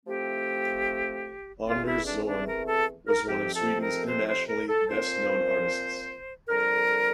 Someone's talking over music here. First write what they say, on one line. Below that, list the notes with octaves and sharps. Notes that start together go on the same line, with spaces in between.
Anders Zorn was one of Sweden's internationally best known artists.
A2 F3 A3 C4 G4
E2 E3 A3 C4 F4
E4
D4
D4
A#4
A4
A#4
F2 C3 F3 C4 G4
A4
A#4
C5
C5
A#4
A4
A#2 F3 C4 C5
F2 D3 G3 A#4